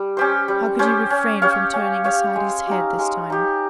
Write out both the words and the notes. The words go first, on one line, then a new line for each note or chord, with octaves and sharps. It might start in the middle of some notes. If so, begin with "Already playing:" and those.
How could he refrain from turning aside his head this time?
Already playing: G3
C#4 G4 C5
G3
C#4 G4 C5
C#4
G4 C#5 F5
C#4
G4 C#5 F5
G#3
D#4 G4
G#3
D#4 G4